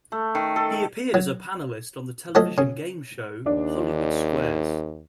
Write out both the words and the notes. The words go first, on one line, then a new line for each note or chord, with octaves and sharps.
He appeared as a panelist on the television game show "Hollywood Squares".
A3
D#3
A4
A4
F#3
F3 F#3 A3 A4 D#5
C#3
D#2 D4